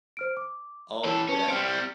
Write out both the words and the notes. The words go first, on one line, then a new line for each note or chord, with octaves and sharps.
I'll be back.
C5 F6 D7
D6
E3 A4 C#5 A5
C#4 B4 A5
G3 C4 F6 C#7